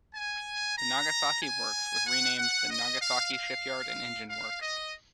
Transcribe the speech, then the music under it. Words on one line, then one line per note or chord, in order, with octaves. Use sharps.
The Nagasaki works was renamed the "Nagasaki Shipyard and Engine Works".
G#5
A#5
G#5
F#5
F#5
D#5
F5
F5
F5
D#5